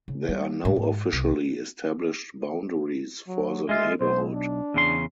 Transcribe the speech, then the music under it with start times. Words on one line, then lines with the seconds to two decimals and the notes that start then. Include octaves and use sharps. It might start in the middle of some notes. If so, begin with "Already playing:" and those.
There are no officially established boundaries for the neighborhood.
0.08 C#3
0.29 G3
0.65 G#2
0.76 G#2
1.13 C2
3.28 F#3
3.69 G#3 F4 E5
4.01 B1 C5
4.34 D4
4.74 E2 C#3 C6